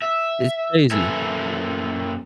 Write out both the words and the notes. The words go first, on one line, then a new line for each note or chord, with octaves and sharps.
It's crazy.
E5
F#2 A#3 A4 B4 E5 G#5